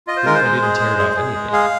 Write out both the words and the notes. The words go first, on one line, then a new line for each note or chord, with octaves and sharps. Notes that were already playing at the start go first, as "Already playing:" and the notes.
I believe I didn't tear it off anything.
F4 D#5
C5
G#3 A#4
C5
G#3
G#4
G#3
G#4
G#4
G#3
G#4 F5